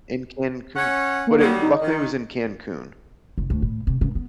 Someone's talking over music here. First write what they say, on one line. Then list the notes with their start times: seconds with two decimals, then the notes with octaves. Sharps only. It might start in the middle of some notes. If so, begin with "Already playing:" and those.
in Cancun, but it luckily it was in Cancun.
0.76 C#4 F#5
1.27 A#3
1.40 D#3 F#3 G3
1.62 D#4
1.82 D#3
3.38 F1
3.50 D2
3.62 A2
3.87 C3
4.01 C#3
4.15 B3